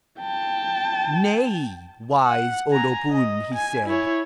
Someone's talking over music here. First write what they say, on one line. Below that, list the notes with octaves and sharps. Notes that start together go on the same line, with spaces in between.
"Nay, wise O-lo-pun," he said.
G5 A5
F#5
G#5 A#5
D#5
G#5
E4 C#5